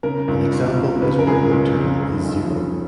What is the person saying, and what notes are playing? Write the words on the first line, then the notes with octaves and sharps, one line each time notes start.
An example is where no term is zero.
C#3 A#4
C#2
C#2
C#2
C#3 B4
A#4
C#2 G#4
C#2
C#3
F1
F1
F1